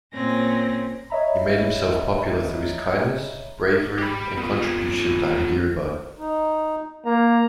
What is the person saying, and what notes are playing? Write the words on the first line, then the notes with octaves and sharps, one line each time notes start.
He made himself popular through his kindness, bravery and contribution to Hyderabad.
A#2 C4 C#4 A#6
C#5 D#5 E5 A#5 B5
G4 B5
B3 F4
D#4
A#3 A#5